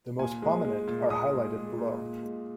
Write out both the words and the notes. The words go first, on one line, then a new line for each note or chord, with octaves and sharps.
The most prominent are highlighted below.
A#2 G#5
G#3
G#3
A#2
A#2 D#6
G#3
G#3
A#2
A#2
G#3